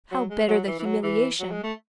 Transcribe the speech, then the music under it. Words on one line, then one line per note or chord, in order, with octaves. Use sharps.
How bitter the humiliation!
F#3
G#3
F#3
E3
E3
F#3
E3
F#3
G#3
A3